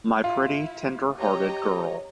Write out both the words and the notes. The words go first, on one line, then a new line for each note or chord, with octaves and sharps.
My pretty, tender-hearted girl!
E4 F4
G4 C#5 D#5 A#5